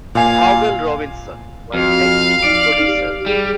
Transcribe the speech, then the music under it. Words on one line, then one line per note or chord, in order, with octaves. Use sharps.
Hubbell Robinson was the executive producer.
A#2 F5 G#5 C7
F2 F#4 F5
D#4 D5
G4
G3 G#4